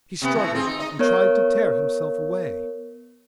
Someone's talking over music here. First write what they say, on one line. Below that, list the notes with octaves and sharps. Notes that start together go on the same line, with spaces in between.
He struggled, and tried to tear himself away.
C3 B3
E3 A3
C4 F4 G#4
D#4
D#4 D#5
B3 A#4 C#5